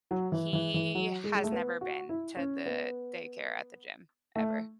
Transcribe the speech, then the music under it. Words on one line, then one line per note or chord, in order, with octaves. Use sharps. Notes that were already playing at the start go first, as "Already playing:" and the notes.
He has never been to the daycare at the gym ever.
F#3
E3
E3
E3
F#3
G#3
G#3
A3
B3
F#4
E4
C#4
B3
A3